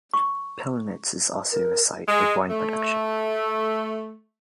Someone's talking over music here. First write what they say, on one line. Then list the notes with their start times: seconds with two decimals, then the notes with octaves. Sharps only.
Pillnitz is also a site of wine production.
0.14 C#6
1.52 A#4
2.08 G#3
2.50 A3